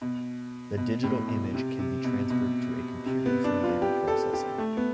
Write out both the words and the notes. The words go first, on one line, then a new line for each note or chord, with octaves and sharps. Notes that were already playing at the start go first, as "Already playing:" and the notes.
The digital image can be transferred to a computer for later processing.
B2
B2
A2
B2
C3
C3
B2
B2
C3
B3
D4
F4
G4
A4
G4
A3
B3